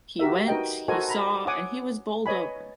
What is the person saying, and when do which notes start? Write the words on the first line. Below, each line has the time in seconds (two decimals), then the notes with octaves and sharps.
He went, he saw and he was bowled over.
0.19 F#4 G4 A#4 E5
0.48 D#4 F#4 A#4 B4 D#5 G5
0.88 F#4 A4 A#4 C5 D#5 G#5
1.09 A#5 B5
1.47 C#5 F#5 G#5 D6 D#6
2.26 B4 C#5 D#5 G#5 B5